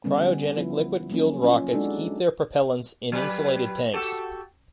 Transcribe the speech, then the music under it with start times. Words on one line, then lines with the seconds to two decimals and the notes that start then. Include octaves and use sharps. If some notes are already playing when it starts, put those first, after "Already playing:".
Cryogenic-liquid-fueled rockets keep their propellants in insulated tanks.
0.04 D3 G3 B3 C#4
0.56 F3 B3 E4
1.10 F#3 A#3 C#4
1.44 C#4 F4
1.72 G#3 D4 D#4 F#4 A4
3.12 F#3 G4 B4
3.94 F#4 G4 A4